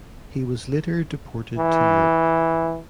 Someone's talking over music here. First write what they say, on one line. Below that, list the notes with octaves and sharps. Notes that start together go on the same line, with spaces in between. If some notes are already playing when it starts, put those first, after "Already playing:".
He was later deported to Europe.
E3